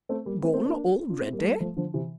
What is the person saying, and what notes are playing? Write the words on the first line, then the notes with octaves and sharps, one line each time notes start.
"Gone already?"
A3 C4
G3 A#3
A3 C4
A3 C4
A#3 D4
D4 F4
C4 E4
G3 A#3
A3
G3 A#3
F3 A3
D3 F3
C3 E3